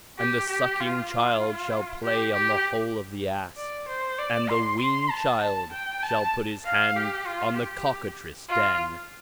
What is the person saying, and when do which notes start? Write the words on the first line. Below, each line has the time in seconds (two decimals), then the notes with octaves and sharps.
And the sucking child shall play on the hole of the asp, and the weaned child shall put his hand on the cockatrice' den.
0.19 G4
0.49 G4
0.80 F4
1.11 F4
2.03 G4
2.33 G4
3.57 D5
3.88 C5
4.19 D5
4.49 C6
4.79 C6
5.10 A5
5.41 A5
5.72 G5
6.03 A5
6.65 F5
6.96 G4
7.26 F4
7.57 G4
8.49 F4